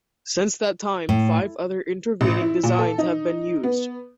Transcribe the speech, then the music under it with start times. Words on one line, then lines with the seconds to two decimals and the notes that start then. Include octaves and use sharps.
Since that time, five other intervening designs have been used.
1.09 A2
2.21 A1
2.41 E4
2.63 A#2
2.79 A4
2.98 D#4
3.63 B3